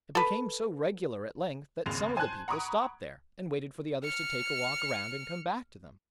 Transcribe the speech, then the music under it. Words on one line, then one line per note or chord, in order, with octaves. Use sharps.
It became so regular at length, that some of the people stopped there, and waited for the others to take a walk round, and come back to them.
A4 B4
F1 D#2 C#3 F7
C5 G#5 A5 C6 F#6 G#6
F#5 A#5 B5 C#6 D#6 D7
F6 C#7